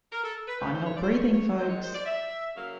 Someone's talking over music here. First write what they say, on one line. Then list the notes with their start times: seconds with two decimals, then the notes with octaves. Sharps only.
I'm not breathing folks!
0.12 A#4
0.24 A4
0.48 B4
0.60 A2 E3 A3 C5
0.73 C5
0.85 C#5
0.97 D5
1.03 C5
1.09 C#5
1.33 C#5
1.57 D#2 D#3 G#3 C5
1.70 C#5
1.83 C5
1.94 D5
2.06 E5
2.55 C#3 F#3 A#3 F5